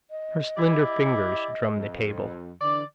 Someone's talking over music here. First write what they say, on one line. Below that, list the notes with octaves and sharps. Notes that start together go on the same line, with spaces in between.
Her slender fingers drummed the table.
D#5
E4 G4 D5
F2
D3 E3 D5